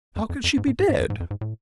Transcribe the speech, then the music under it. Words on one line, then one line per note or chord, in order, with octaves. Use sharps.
"How can she be dead?"
F2
F2
F2
G#2
A2
G#2
G#2
F2
G#2
F2
G#2
A2